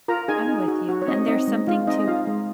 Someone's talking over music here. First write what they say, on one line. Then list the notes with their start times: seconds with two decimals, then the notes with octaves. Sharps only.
I'm with you. And there's something to
0.08 F4 A#4 A#5
0.28 D#4 G#4 G#5
0.48 D#4
0.68 F#4
0.89 F#4
1.02 C#5
1.08 C4 D#4 D#5
1.28 C4 D#4 D#5
1.48 G#3
1.67 G#3 F4 F5
1.87 C4 D#4 D#5
1.98 D#5
2.07 F4 F5
2.27 G#3